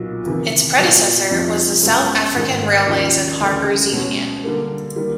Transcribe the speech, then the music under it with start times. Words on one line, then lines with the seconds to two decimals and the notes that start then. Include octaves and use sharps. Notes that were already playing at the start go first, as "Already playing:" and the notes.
Its predecessor was the South African Railways and Harbours Union.
Already playing: B1 A#2 F#3
0.26 E2 C3 D#3
0.78 A#2 F#3 B3 D4
1.31 F1 F2 C3
1.82 F#2 C#3 F3 G#3 B3
2.35 G#1 G#2 D#3 G#3
2.87 D#2 C#3 F3
3.40 D2 C#3 E3 A3
3.92 B2 G#3 C#4
4.44 D3 G3 A#3
4.96 D#3 G3 A#3